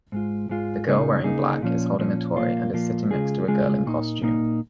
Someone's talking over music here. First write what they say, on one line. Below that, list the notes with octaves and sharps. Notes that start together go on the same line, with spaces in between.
The girl wearing black is holding a toy and is sitting next to a girl in costume.
G#2 G#3 F4
G#2 G#3 F4
C#3 A#3 D#4 G#4
C#3 A#3 D#4 G#4
A#2 F3 C#4
A#2 F3 C#4
A#2 F3 A#3 F4
A#2 F3 A#3 F4
C#3 G#3 F4 G#4
C#3 G#3 F4 G#4
A#2 A#3 D#4
A#2 A#3 D#4